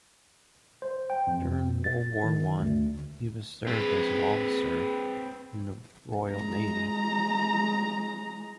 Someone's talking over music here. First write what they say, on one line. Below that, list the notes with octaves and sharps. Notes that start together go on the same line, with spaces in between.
During World War One he served as an officer in the Royal Navy.
C5
G5
F2
A6
D#3
D2
C4 G#4 B4
G#3 A#5